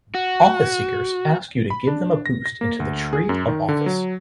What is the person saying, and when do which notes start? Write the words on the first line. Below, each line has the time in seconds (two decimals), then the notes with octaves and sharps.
Office-seekers ask you to give them a boost into the tree of office.
0.15 F#4
1.70 B5
1.87 D4
2.26 A#6
2.46 A#6
2.61 A#3
2.80 D2
3.13 G#4
3.29 F#2
3.48 D#3
3.69 D3
3.86 F#3